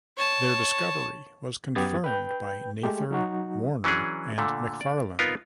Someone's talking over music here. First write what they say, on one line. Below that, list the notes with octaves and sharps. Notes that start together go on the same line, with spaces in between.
Their discovery was confirmed by Nather, Warner, and Macfarlane.
C#5 A5
F#2 B3 G4 D#6 G#6 A6
B4 G5 G6
G#3 A3 G4
F#3 D#4 F#4
E3 F#3 C#4 D4 G#4
A#2 D3 A3
D5
B3 C4 D#4 F4 A#4 B4